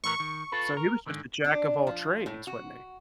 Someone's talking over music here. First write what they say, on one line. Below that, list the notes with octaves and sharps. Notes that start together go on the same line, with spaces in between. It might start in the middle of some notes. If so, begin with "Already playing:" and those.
So he was just a jack-of-all-trades, wasn't he?
A2 E3 A#4 C#6
D#3
F4 A4 B4
A#4
G#2 D3 D#3
D4
F3
A2
F#4